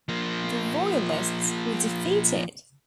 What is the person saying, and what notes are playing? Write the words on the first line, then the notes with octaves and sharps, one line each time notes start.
The royalists were defeated.
F3 A#3